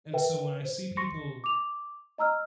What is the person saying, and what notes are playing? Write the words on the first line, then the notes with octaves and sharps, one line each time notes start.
and so when I see people
A#4 B4 E5 G5
C5
C6 C#6 A#6 C#7
D6 F7
D#5 A#5 E6 F6